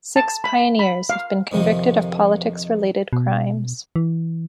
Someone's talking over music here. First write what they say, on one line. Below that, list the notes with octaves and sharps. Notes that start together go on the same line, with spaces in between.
Six Pioneers have been convicted of politics-related crimes.
A5
B5
B5
F5
F2 C3 D#3 F3
B2
E3